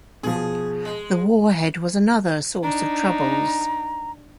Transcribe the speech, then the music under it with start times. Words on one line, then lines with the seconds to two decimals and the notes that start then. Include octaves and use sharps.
The warhead was another source of troubles.
0.23 B2 F3 G#4
0.85 G#3
2.63 D4 D#4 A#5